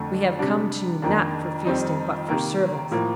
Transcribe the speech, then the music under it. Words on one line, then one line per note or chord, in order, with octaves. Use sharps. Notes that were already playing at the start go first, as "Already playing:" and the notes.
We have come to you not for feasting but for service.
Already playing: F2 D3 A3
C3 G3 D4
F2 D#3 A#3 D4
F2 D#3 G3 C4 D#4
C3 D#3 A#3
A2 F3 A#3